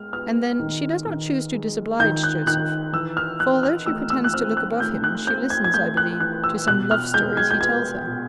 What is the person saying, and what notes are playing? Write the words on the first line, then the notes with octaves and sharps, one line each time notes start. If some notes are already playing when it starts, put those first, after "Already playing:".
And then she does not choose to disoblige Joseph; for although she pretends to look above him, she listens, I believe, to some love-stories he tells her.
Already playing: G#3 B3 F6
B3 F6
D#3
D#3
G#3
D#3 G6
F#6
D#3 F#6
E3 E6
F6
E3 F#6
F6
A3 E6
E6
F#6
C4 F6
F#6
A3 G6
F#6
C4 G6
G#6
G#6
A3 G6
F#6
E3 F#6
E6
B2 F#6
F6
G#3 G6
G#6
G6
B3 G#6
B2